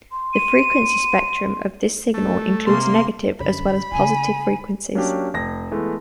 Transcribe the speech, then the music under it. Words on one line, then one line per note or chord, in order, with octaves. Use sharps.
The frequency spectrum of this signal includes negative as well as positive frequencies.
C6
D#7
A3
C3 G#3 A#3 C6
F#2 D3 B5
C#3 F4 G#5
F#3 A#3 C#4 D4 G4
F1 A#6
E3 G#3 A3 B3